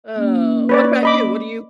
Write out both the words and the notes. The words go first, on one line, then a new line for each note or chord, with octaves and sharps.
Uh, what about you? What do you
A#3 C#4
B4 C#5 D5
D#5 B5 D6